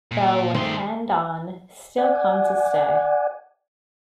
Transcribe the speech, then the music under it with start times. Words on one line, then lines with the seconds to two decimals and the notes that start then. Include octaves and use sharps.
The Lacandon still come to stay.
0.11 A#2
0.54 G2 D#3 A3 C4 G#4 C6
1.98 D5 F#5 G#5